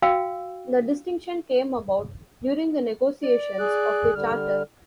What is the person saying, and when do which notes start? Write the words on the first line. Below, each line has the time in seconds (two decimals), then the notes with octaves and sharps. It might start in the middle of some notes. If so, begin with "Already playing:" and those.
The distinction came about during the negotiations of the "Charter".
0.02 F#4 F5 G5 E6
3.23 D5
3.59 G#4 F#6
4.15 D3 G3 F6